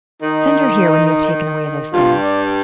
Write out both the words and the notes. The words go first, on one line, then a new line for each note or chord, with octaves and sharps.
"Send her here when you have taken away those things."
D#3 D#4
G2 G3 F4
D5